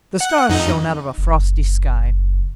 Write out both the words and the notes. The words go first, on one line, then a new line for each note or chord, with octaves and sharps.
The stars shone out of a frosty sky.
F#5
F2 D#4
F#1